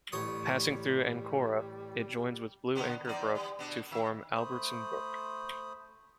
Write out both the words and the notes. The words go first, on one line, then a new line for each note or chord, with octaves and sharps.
Passing through Ancora, it joins with Blue Anchor Brook to form Albertson Brook.
A1 G3 C#5 D#6
D3 B3 C#4
E2 D#4 D5
G3
B2 D4
D#3 E5
A3 C5 B5 D#6